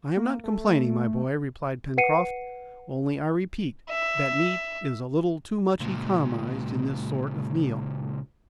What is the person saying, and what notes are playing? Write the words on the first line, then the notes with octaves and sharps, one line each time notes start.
"I am not complaining, my boy," replied Pencroft, "only I repeat, that meat is a little too much economized in this sort of meal."
A#3
A3
B4 F#5 C7 C#7 D#7
E5
C#2 A#2